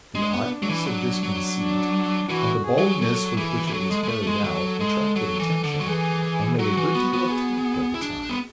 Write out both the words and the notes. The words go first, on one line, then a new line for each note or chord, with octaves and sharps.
The oddness of this conceit, and the boldness with which it was carried out, attracted attention, and made a good deal of talk at the time.
G#3 D4
B3
F#3
E3
F#3
F#3
D4
E3 F#4
G#4
F#3
F#3 A4
E3 G#4
E3
F#3 A4
G#3
G#3
A3
G#3
F#3 A4
G#3
F#3
E3
D3
F#3
E3 G#4
F#3 F#4
E3
B3
B3
G#4
E4
D4
B3